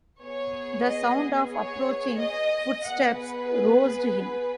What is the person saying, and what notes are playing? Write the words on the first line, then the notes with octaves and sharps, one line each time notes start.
The sound of approaching footsteps roused him.
B3 G#4 C#5
D#5
C#5
D#5
B3 G#4 F#5
B4